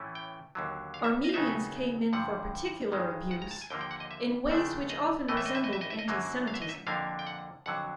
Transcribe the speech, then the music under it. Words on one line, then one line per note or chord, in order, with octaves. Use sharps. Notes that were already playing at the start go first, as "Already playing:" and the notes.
Armenians came in for particular abuse in ways which often resembled anti-Semitism.
Already playing: A2 E3 A3 C#4 E4
G5
D#2 D3 F#3
F5
E5
D#5
F5
D#2 C#3 F#3 B3 D#4 E5
G2 D3 F3 F#5
G2 D#3 G#3
F#5
A#5
A5
G#5
D#2 D3 F3 A#3 G5
G5
F#5
D#5
E5
D#2 C#3 F3 A3 D4
D#5
A2 E3 A3 D#5
E5
D#5
E5
D#5
E5
D#5
E5
D#5
F#2 D3 F#3 A#3
F5
E5
D#5
E5
F2 D3 F3 A#3 D4 F5
G5
F#5
F2 D3 F#3 F#5